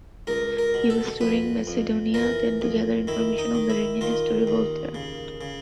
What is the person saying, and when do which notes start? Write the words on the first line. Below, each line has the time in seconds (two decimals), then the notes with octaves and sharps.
He was touring Macedonia then to gather information on the readiness to revolt there.
0.27 C#2 A#4
0.58 A#4
0.74 B2
0.90 A4
1.21 F2 B4
1.67 F2
2.14 E3 A#4
2.61 F2
3.07 D#3 E4
3.38 D#4
3.54 D#3
3.70 E4
4.01 D#3 F4
4.47 D#2
4.95 C#3
5.41 C#3